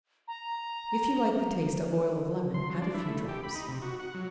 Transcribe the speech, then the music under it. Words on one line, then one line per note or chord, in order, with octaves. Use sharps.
If you like the taste of oil of lemon, add a few drops.
A#5
C6
F#3
D4
E4
A3
G4
B5
D#4
C3
F#4
F#5
F#3